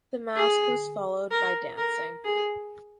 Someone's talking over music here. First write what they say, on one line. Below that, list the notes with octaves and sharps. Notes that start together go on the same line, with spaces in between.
The masque was followed by dancing.
G#4
A#4
A#4
G#4